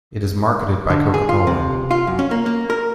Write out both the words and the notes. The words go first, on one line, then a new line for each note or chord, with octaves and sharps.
It is marketed by Coca-Cola.
D3
G#4
F4
C3
F4
F#2
C#4
A#3
A#3
A#4